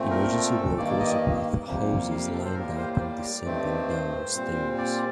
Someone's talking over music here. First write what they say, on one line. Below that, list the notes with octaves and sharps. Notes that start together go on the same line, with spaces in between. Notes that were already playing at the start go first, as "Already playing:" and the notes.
Emergency workers with hoses lined up and descending down stairs.
Already playing: A#2 A3 C4
A#4
A4
G2 D#3 A#3 D5
D#5
F2 C3 G3 A#3
F5
A4
C5
A2 G3 A#3 A#4
C5
C5
D5
G2 D#3 A3 C4
C5
A#2 G3 C4
D5